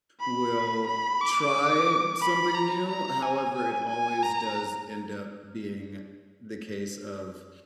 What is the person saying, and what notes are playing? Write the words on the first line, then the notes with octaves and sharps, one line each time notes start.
will try something new; however, it always does end up being the case of,
B5
B5
D6
B5
A#5
A#5
G#5
G#5
G#5
A#5